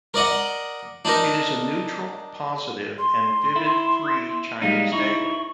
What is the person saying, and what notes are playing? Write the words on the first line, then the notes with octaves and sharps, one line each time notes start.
It is a neutral, positive and vivid free Chinese daily.
A#4 D5 D#5 F#5
D4 D#4 A#4
C6
E4
G3 G#3 D#4 F5
D#4 E4 C#6